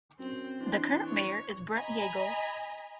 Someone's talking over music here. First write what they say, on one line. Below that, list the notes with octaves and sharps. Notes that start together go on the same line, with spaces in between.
The current mayor is Brett Yagel.
F#2 C4
E3 D4 C6
C#5
D#5 G#5 A#5 B5